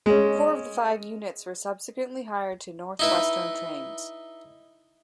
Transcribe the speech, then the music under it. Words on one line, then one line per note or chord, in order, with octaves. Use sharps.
Four of the five units were subsequently hired to North Western Trains.
G#3 C#4
D#4 E4 B4